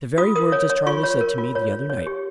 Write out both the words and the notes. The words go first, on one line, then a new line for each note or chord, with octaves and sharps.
The very words as Charley said to me the other night.
F4 D#6
A#4 D#6
C#5
C#5
F4 C#6
C#5
A#4
F4
C#5
C#5
C#5
G4